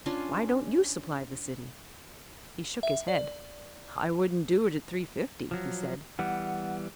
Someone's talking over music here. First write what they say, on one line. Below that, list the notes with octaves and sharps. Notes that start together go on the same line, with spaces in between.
Why don't you supply the city?' He shook his head, 'I wouldn't do it at three-fifty,' he said.
C#4 D4 F4 G#5
E5
D5
F3 F#3
E3 G3 B3 F#5